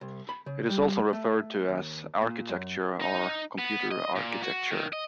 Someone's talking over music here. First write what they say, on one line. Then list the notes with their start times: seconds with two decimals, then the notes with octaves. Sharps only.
It is also referred to as architecture or computer architecture.
0.01 C2
0.29 B5
0.46 C#3
0.69 G3
1.13 A3
1.68 D#2
2.22 A#2
2.49 F#2
3.01 D#4
3.58 B3
3.91 D#5
4.16 A#2
4.43 F#4
4.71 D#3
4.93 D#5